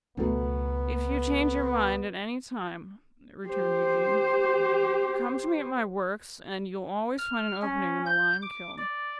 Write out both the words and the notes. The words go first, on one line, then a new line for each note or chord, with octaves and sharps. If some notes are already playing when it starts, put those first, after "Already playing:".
'If you change your mind at any time,' returned Eugene, 'come to me at my works, and you'll always find an opening in the lime-kiln.'
C#2 B2 F#3 A3 B3
G4 C5
F6
C#4
G6
D6
D5